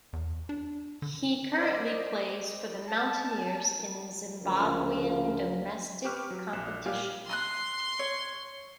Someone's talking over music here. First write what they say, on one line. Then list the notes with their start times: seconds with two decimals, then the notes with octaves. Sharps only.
He currently plays for the Mountaineers in the Zimbabwean Domestic Competition.
0.13 E2
0.49 D4
1.02 D3
1.58 C5 D5 D#5
2.87 A5
4.43 D2 C#3 F3 C#4 F4 A#4
6.04 G4 B4 G5 C#6 D6 F6
6.30 F#3
6.53 A#1 F#6 E7
6.86 A#2 G3 G4 F5 G#5 F6
7.29 C6 D#6 E6 F#6
7.99 C#5